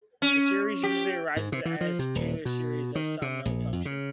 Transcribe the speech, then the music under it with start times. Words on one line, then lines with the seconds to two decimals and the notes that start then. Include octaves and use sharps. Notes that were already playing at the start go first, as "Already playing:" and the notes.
This series usually arises as the Taylor series of some known function.
0.22 C#4
0.83 G4
1.36 G#2
1.52 C3
1.65 E3
1.81 F3
1.99 C3
2.16 D#1
2.45 B2
2.95 D#3
3.22 C3
3.45 A#1
3.73 F2
3.85 C#3